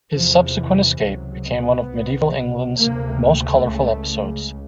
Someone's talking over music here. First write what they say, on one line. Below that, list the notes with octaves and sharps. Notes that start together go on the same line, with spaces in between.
His subsequent escape became one of medieval England's most colourful episodes.
E2 C3 F3
E3
C#2 C3 F#3
B3
C2 C3
D2 C3 A#3
A3
C#2 C#3